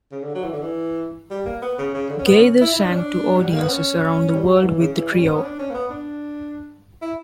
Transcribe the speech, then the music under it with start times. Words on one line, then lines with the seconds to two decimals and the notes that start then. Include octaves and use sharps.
Gaither sang to audiences around the world with the trio.
0.11 C#3
0.23 D3
0.34 F#3
0.44 E3
0.52 D3
0.62 E3
1.30 G3
1.45 A#3
1.62 B3
1.78 C#3
1.94 C#3
2.09 D3
2.18 C#4
2.25 B3
2.37 C#4
2.61 E4
2.73 E4
2.80 D4
2.88 C#4
2.96 D4
3.37 F#3
3.45 G3
3.53 A#3
3.60 B3
3.69 C#4
4.35 G3
4.49 F#3
4.63 E3
4.79 C#3
4.95 E3
5.11 G3
5.19 C#4
5.27 B3
5.37 C#4
5.43 D4
5.59 C#4
5.70 A#3
5.74 B3
5.90 D4
7.01 E4